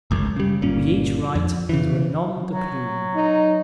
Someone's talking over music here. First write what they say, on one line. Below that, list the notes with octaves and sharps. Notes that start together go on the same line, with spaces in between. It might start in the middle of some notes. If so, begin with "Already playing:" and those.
We each write under a nom-de-plume.
G1 C#2 F#2
C#3 G3
G1 A#2 C#4
F2
C#3 E3
F#3
D#4